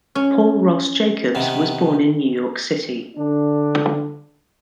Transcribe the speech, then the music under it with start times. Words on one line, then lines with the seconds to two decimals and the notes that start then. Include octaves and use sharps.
Paul Ross Jacobs was born in New York City.
0.15 C#4
1.35 C3 D#3 B3
3.16 D3 D4